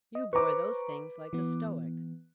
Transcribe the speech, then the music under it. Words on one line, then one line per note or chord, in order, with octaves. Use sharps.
You bore those things like a stoic.
D#5
B4 C5 A#5 C#6 D6
E3 B3